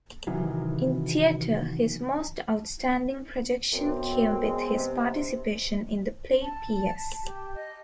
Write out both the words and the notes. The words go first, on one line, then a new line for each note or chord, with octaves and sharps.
In theater his most outstanding projection came with his participation in the play ps.
C3 D#3 E3 F#3
F#2 B3 C4
G#3
C3
A5
G4
D#5